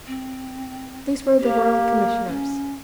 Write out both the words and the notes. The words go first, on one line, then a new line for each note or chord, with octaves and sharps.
These were the Royal Commissioners.
C4
A#3 G4
C#4